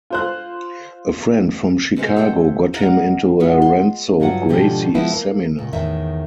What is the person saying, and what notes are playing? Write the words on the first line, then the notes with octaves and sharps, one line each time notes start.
A friend from Chicago got him into a Renzo Gracie seminar.
F4 C5 F#6
B2 G#3 C5 F5
A4 C5 C#5 G5
D#5 F5 F#5 A#5
G#3 B3 F4
C6
G2 F#3 F4 F#5
G#2 B2 D3 F3 G4
F3 G#3 B3 E4
A#3
A#2
E2 A2 D#3 E5